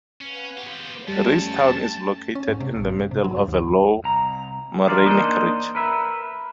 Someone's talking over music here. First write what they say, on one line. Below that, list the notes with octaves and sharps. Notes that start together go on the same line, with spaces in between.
Ridgetown is located in the middle of a low morainic ridge.
C#4 B4 F5 F#5
B3 G4 C6
F2 G3 A3 C#4 G5 A5
C#4
G#2
C3
A1
G2
C3
F#3
G2
D#2
C2 A#5
E3 D4 F4 A#4 D5
A#3 D4 D#4 C5 D#5
A#4 B4 E5